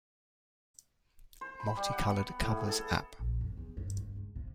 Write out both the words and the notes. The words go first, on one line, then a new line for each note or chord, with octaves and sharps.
Multicolored covers, app.
C5
B5
G3
F#5
B3
A2
G#4
A4
A#1
F2
E2
G2
G2
C#2
C3